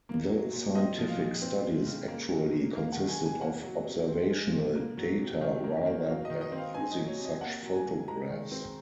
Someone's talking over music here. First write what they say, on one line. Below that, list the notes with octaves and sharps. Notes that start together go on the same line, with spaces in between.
The scientific studies actually consisted of observational data rather than using such photographs.
A#3
F#3
A#2
C4 D#5
F3
F5
A#2
C4
G#3
C#3
A#3
F#3
A#2
A#3 F5
D#3 F#5
G#5
C3
G#5
A#3 F#5
F#3
C3
C4
G#3
A#2
A#3
F#3
C3
D#3
A#3
A#3
F#3 F5
D#3 D#5
D#5
C4
F5
C4 G#5
F#3 D#5
C#5
C3
D#5
A#3 F#5
F#3
G#5
C3
G#3 A#5
D#3
C4